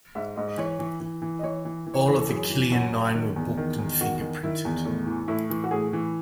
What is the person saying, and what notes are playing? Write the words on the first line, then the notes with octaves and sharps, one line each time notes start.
All of the "Killian Nine" were booked and fingerprinted.
G#2 E5
G#2 D#5
D#5
E3 C#5
E3
E3
E3
D#5
E3 C#5
E3
E3
C#5
E3 C5
A4
F#2 G#4
E3
F#2 F#4
F#2
D#3
E2
D#3
E2
D#3 F#4
D#3
D#3 E4
E2
A2
E3
A2 E4
E3
F#4
A2 G#4
E3